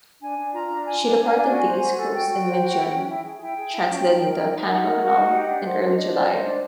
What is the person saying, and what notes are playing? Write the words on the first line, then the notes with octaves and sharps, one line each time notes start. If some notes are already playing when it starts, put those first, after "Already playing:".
She departed the East Coast in mid-June; transited the Panama Canal in early July.
D4 G#5
D4
F4 A#5
D4
F4 G#5
D4
D4
D4
F#4
C5
F#4
A4
F#4 G5
F#4
C5
F#4
E4
C#4
E4
G#4
E4 G5
G#4
E4
C#4
D#4
A#4
D#4
D#4
D#4 F#5
A#4
F#4
D#4
G4
D4
C5
D4
D4 D#5
C5 D5
C5 D#5
D4 D5